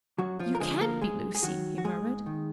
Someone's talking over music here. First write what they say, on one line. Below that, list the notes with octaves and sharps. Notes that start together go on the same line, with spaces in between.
"You can't be Lucy!" he murmured.
F#2 F#3 F#4
F3 F4
A#4
D3 F3 G#3 G#4
A#3 A#4
G#2 G#3 G#4
G#4
D#3 F#3 F#4
F#4
G#2 G#3 G#4
D#3